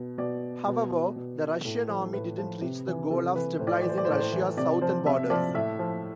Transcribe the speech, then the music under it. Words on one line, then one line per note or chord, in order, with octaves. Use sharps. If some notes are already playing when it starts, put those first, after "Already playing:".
However, the Russian army didn't reach the goal of stabilizing Russia's southern borders.
Already playing: B2
B2 D5
B2
B2
A2
F3
A2 B4
F3
C3
E3
C3 A4
E3 B4
A2 C5
D5
C5
D5
E3
C5
D5
C5
A2 D5
C5
E3
C3 D5
F3 C5
C3 E5
F3 D5
A2 E5
F3